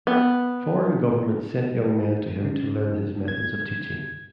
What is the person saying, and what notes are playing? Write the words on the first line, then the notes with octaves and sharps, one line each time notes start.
Foreign governments sent young men to him to learn his methods of teaching.
B3
C#3
G#6